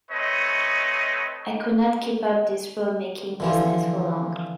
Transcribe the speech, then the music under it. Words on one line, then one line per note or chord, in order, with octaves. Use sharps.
I could not keep up this roadmaking business for long.
A3 C4 B4 C#5 D#5
D3 E3 F3